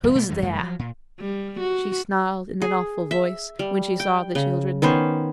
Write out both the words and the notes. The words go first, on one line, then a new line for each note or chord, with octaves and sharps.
'Who's there?' she snarled, in an awful voice, when she saw the children.
D#1 E2 C3 G3
B2 A3 B3
F#2 E3 G#3
F1 F#2 G3 A3
F3 F#3
A#2
G3
F#4
G#4
E5
G3
G5
C#3
D#3 B3 C#4 C5